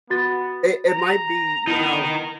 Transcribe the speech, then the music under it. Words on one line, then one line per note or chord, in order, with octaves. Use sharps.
It it might be, you know
B3 F#4 A6
A#5
B3 D#4 E4 A#4